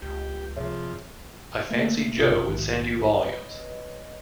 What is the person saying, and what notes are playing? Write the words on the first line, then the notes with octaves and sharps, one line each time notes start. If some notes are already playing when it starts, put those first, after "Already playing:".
I fancied Jo would send you volumes.
C#2 G4
F2 C3 G#4 C#5 E5
A3 A#3 E5
G#1 C3 F4 A#4 E5 D#6
A#1 G#2 D#3
B4 C#5 D#5